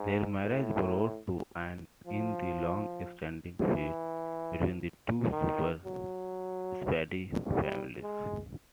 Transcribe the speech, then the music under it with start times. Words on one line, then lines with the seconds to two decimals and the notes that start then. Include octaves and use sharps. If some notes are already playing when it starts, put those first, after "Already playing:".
Their marriage brought to an end the long-standing feud between the two super-speedy families.
Already playing: G#2
0.44 A2
2.06 F3
3.69 E3
5.31 D#3
5.85 F#3
7.48 G3
8.02 G#3